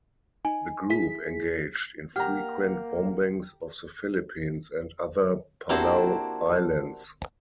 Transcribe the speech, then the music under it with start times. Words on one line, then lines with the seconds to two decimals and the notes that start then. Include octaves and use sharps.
The group engaged in frequent bombings of the Philippines and other Palau Islands.
0.45 D#4 G#5
0.90 E4 G#4 B6
2.16 A#3 G4 F#5 A#5 F6
5.69 A#3 C4 D4 E4 F#4 G4